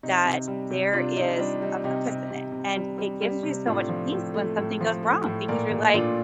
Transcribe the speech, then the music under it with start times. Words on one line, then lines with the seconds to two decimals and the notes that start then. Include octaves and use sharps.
that there is a purpose in it, and it gives you so much peace when something goes wrong because you're like,
0.03 C3 D#4
0.25 C3
0.48 G3
0.70 C3
0.93 C3 D4 F4
1.17 C3 D#4
1.38 G3 D4
1.62 G3 D#4
1.84 C3 D#4 G4
2.07 C3
2.30 C3
2.52 C3
2.76 G3
2.98 G3
3.21 G3
3.43 C3
3.66 A2 D4 F4
3.89 F3
4.12 A2
4.34 A3
4.57 A2
4.81 F3
5.03 A3
5.26 A2
5.48 A#2 A#4 D5
5.71 A#2
5.94 A#2 D4 F4